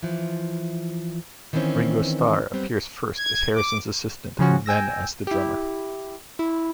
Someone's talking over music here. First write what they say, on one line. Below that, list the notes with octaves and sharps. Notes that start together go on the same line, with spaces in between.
Ringo Starr appears first as Harrison's "assistant" and then as the drummer.
E3 F3
D#3 E3 A#3 C4 C#4
F#2 G3 B3 C4
G#6
D6
C#3 F3 C#4 F#4
G5 G#5 E6 A#6
E4 G4
E4